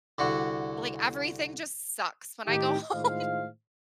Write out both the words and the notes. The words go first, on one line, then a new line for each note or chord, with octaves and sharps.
like, everything just sucks when I go home,
C2 D3 F#4
A2 D#3 C4 D#4 G4
A2 D#3 G#3 F4 C5 F5